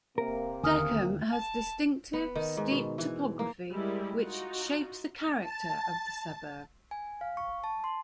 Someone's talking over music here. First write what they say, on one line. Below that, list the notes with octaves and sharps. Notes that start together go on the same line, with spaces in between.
Deckham has distinctive, steep topography which "shapes the character" of the suburb.
C3 A#3 A#4
D#2 D3 G#5 D#6 F6
A5
B3
D#3
G#2
B2
E3
A#3
G3 G#3 E4 A#4
D#4 F4 F#4
A5
G#5
F5
C#6
A5
C6